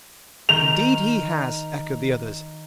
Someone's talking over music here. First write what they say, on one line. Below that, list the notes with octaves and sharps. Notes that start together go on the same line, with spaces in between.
'Indeed he has!' echoed the others.
D#3 G6 F7